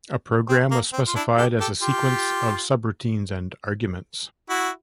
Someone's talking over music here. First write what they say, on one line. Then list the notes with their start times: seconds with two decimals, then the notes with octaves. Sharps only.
A program was specified as a sequence of subroutines and arguments.
0.49 C4
0.71 A#3
0.93 C4
1.07 F4
1.16 D4 E4
1.37 G4 A4
1.60 G4 A4
1.82 F4 G4
4.49 E4 F#4